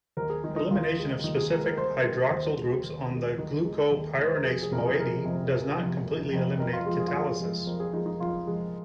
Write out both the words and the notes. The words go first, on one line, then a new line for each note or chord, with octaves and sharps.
Elimination of specific hydroxyl groups on the glucopyranose moiety does not completely eliminate catalysis.
D#2 A#4
G#4
D#3 G#3 D#4
D#4
D#2 F4
D#3 G#3
D#2 D#4
G#4
D#3 G#3 A#4
A#4
D#2 C5
D#3 G#3
D#2 C5
D#3 G#3
D#2
D#3 G#3
D#2 D#4
D#3 G#3
D#2
D#3 G#3
C5
A#4
F1 G#4
G#4
F2 C3 F3 A#4
G#4
F1 A#4
F2 C3 F3
F1
F2 C3 F3
F1
F2 C3 F3
F2 A#4
F4
F3 G#3 F4
G#4
F4
F2 G#4
F3 G#3
F2 A#4
G#4
F3 G#3 D#4
D#4
F2 F4
F3 G#3